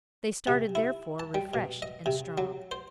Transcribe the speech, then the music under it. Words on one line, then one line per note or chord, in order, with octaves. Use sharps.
They started, therefore, refreshed and strong.
C3
E4
A5
G3
B2
D#5
C3
F#3
C5